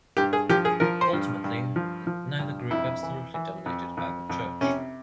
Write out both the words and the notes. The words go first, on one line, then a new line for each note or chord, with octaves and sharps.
Ultimately, neither group absolutely dominated either church.
G2 G4
G#4
F3 G4
G#4
F3 A#4
C5
G2
G2
F3
F3
G2
F2 E4
E3
E3
F2
F2
F2
C3 C#4